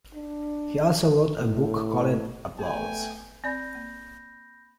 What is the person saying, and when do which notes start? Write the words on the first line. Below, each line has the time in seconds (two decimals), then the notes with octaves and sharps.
He also wrote a book called "Applause".
0.14 D4
1.37 A2
2.58 A3 B3 G5 G#5
3.44 C4 D5 B5 G6 A#6
3.75 A#3